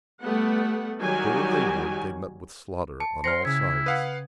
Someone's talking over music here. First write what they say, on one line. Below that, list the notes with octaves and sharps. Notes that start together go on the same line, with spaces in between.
Go where they would, they met with slaughter on all sides.
G3 A3 B3 F#5
D#3 F#3 G3 F#4 G4 G#5
A5 C#7
C5 C#5 G5 A#5 C6 F6 A#6 C#7
C#3 E4 G#6
B4 F5 F#5 D#6